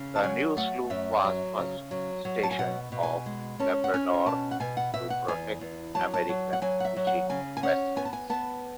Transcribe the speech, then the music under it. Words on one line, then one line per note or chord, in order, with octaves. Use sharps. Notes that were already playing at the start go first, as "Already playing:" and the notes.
The new sloop was first stationed off Labrador to protect American fishing vessels.
Already playing: C#3
A5
F#3 G#5
A3 F#5
F#2 E5
F#3
C#3
F#3
F#3
A5
G#5
B2 F#5
B2
G#5
G#3
C#4 A5
F#5
C#4 G#5
B2 A5
F#5
B2 G#5
F#5
B2 E5
F#5
E2 G#5
E2
F#3 A5
A5
F#3
F#5
F#3 G#5
F#5
E5
F#3
F#5
C#3 G#5
G#5
C#4 F#5
B3 G#5
A5
G#5
B3 A5